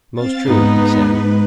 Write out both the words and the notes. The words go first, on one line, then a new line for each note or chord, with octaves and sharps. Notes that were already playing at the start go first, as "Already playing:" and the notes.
Most true, he said.
C4 F5 A6
G#2 B3 D#4 B4